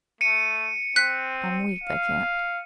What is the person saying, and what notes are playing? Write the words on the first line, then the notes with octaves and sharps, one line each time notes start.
I'm weak, I can't....
A3 C#7 D#7
C4 F#6 B6
F5